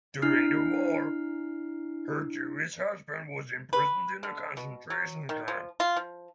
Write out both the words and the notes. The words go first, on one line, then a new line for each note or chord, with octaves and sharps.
During the war, her Jewish husband was imprisoned in a concentration camp.
D4 E4 F6 C7
B4
D3
B2
F#3
D#3
F3
F4
F3